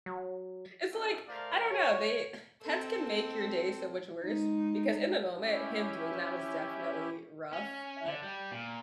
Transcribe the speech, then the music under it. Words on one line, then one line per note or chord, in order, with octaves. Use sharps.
it's like I don't know, they uh, pets can make your day so much worse because in the moment, him doing that was definitely rough, but
F#3
C4 C#4 D#4 F#4 E5
A3 A#4 C5 D5 F5
C#5
C4 A4
G#3 D#4
C#4 E4 G4
C#4
D3
G3
A#2